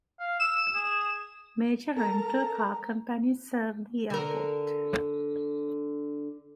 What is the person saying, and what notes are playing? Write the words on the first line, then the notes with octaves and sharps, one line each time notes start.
Major rental car companies serve the airport.
F5
E6 E7
G#4
A4 A#4 A#5
D3 A#4